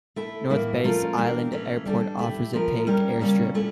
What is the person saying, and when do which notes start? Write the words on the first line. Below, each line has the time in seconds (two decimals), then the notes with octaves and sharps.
North Bass Island Airport offers a paved airstrip.
0.16 A3 E4 A4
0.50 A2 E3 A#3 E4
0.84 F3 A3 C#4 F4 A#4
1.18 E3 A#3 D4 G4 A#4
1.52 E3 A3 C#4
1.85 G3 D4 A4
2.19 A3 E4 G4
2.53 F3 A3 E4 A#4
2.87 G3 C#4 G4 A#4
3.21 C#3 G3 A#3 C#4
3.54 A#2 A3 E4